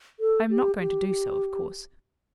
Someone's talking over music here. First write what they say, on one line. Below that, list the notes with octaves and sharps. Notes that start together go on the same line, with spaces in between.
I am not going to do so, of course.
A4
G4
G4